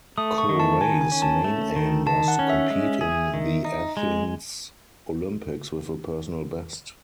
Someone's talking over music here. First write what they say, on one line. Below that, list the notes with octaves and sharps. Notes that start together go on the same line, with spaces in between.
Cooray's main aim was to compete in the Athens Olympics with a personal best.
A3 D#6
C#6
D#3
A5
D#3 G#5
G#5
C#4
A5
A3
D#3
D#3 A5
F#5
C#4
E5
G#3
G#4
D#3
D#4
G#3